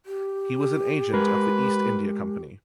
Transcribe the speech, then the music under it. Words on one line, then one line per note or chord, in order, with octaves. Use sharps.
He was an agent of the East India Company.
G4
G#3 A#4 B4